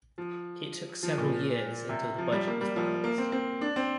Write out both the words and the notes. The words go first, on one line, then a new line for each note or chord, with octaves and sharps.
It took several years until the budget was balanced.
F3
F3
A#2
C3
F3
G3
A#3
G3
F3
A#3
C4
C4
D4
C4